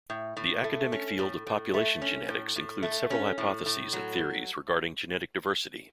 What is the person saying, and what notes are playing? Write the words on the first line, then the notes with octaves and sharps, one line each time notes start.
The academic field of population genetics includes several hypotheses and theories regarding genetic diversity.
A2
A2
A3
C#4
A2
A2
A3
C#4
A2
A2
A3
C#4
A2
A2
F#3